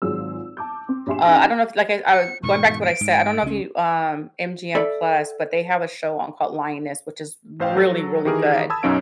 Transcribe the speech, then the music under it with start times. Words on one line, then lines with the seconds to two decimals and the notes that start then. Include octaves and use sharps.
uh, I don't know if like I uh going back to what I said I don't know if you, um, MGM Plus but they have a show on called Lioness, which is really, really good,
0.02 G#1 F#3 F4 G#4 E6
0.57 A5 D6 G6
0.89 C4
1.07 A#1 G4 E5 G#5 C6 E7
1.25 C#3 D#4 F6 A#6
2.12 C#7
2.43 E1 G#2 B2 C#6
2.81 D7
3.01 G#2
3.42 C#2 C#4
4.75 A4 D5 E5 B5
7.60 A1 C5 F5 G5
7.76 F#3 A4 A#6
8.25 D#3 E3 G4 G#4 A#4
8.70 A5 B5 D#6 E6 G#6
8.83 B1 F#2 C#4 D#4 F5 D7